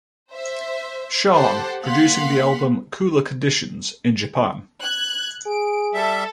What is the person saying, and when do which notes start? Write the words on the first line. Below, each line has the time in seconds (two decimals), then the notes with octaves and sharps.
Shan, producing the album "Cooler Conditions" in Japan.
0.32 C5 E5
1.33 G4 A4 C5 F#5 A5
1.83 A#3 F5 F#5 C6 B6
4.80 F#6 G#6
5.46 G#4 D7
5.94 G3 A4 E5